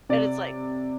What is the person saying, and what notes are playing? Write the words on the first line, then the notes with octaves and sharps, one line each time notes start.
and it's like,
C3 D5